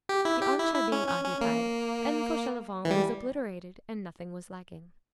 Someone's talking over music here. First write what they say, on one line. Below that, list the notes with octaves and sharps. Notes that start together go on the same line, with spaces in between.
The arm-chair being occupied, M. Fauchelevent was obliterated; and nothing was lacking.
G4
E4
G4
E4
E4
C#4
C#4
C#4
A#3
E3
G3